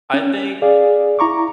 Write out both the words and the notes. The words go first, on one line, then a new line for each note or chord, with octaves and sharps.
I think
C#4
G#4 D5 F5
E4 A#5 C#6 D6